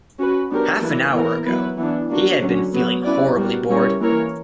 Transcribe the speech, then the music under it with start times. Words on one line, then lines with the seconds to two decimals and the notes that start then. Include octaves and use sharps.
Half an hour ago he had been feeling horribly bored.
0.18 C#4 F#4 B4
0.50 F#3 B3 D4 G4 A#4
0.81 E3 A#3 E4 B4
1.13 E3 B3 E4 A#4
1.46 F#3 B3 E4 B4
1.77 E3 B3 D4
2.10 A#3 D4 F#4
2.41 D3 F#3 C#4
2.73 F#3 B3 F#4
3.05 C#4 E4 B4 D5
3.36 G3 B3 F#4 A#4
3.69 G3 C#4 E4 A#4 C#5
4.00 E3 A#3 E4 A#4 C#5